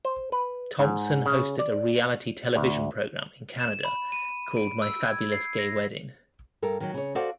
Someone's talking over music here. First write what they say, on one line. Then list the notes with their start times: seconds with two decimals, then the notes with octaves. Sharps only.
Thompson hosted a reality television program in Canada called "My Fabulous Gay Wedding".
0.05 C5
0.32 B4
0.79 G#2
1.26 C#3
1.59 D5
2.56 D2
3.60 E7
3.85 B5
4.12 D#7
4.57 D7
4.82 E6
5.06 G#6
5.32 C7
5.59 A#6
6.62 G2 A4 A#4
6.80 D#3 F#3
6.94 C#3 C#5
7.15 F#4 A4 C5 D5 F5 F#5